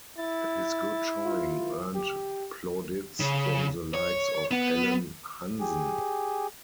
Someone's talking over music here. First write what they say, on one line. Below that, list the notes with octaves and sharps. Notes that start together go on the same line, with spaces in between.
His good showing earned plaudits from the likes of Alan Hansen.
E4 A6
F4
G4
C#3
C#5
B3
G4 G#4